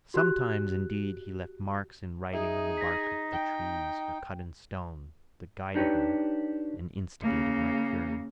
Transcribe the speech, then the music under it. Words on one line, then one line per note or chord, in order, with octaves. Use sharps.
Sometimes, indeed, he left marks in writing on the barks of the trees or cut in stone that guided me and instigated my fury.
F#4 G4 F#6
D#4 G#4 E5
A#6 B6
G5
D4 D#4 G4 B4 C#5
C#3 A#3